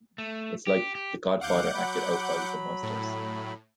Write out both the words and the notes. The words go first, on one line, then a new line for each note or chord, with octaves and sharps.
It's like "The Godfather" acted out by "The Munsters".
A3
G4
G4
D#2 F5 F#5 D6 G6
F#3 B5
A2